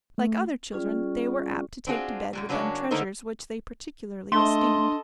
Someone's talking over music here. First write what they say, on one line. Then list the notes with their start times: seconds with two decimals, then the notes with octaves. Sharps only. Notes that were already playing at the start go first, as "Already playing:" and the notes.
Like other children, they were apt to take to bed with them treasures which they particularly esteemed.
0.18 A3
0.72 G3 C#4 F4 G#4 D5 C#6
1.87 C4 D4 F4 F#4 G#4
2.33 F#2 A#2 G3
2.49 C#3 F#3 A#3 C#4 D4
2.91 D3 A#3 B3 D#4 A4 C5
4.32 A3 D4 A4 D#5 C6